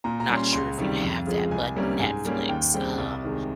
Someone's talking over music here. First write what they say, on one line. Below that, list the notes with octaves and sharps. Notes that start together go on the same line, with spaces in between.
Not sure if you have that, but Netflix, um,
A#2 A#5
A#5
G3 C#4
C6
C#2 C6
C3 D#3 G3
F2
C#3 F3 G#3
C2 G#5
C3 G3 A#3 C#4
G#2 G#5
G3 A#3 C#4
D#2 G5
C#3 G3 C4 G5
C2
C3 D#3 G#3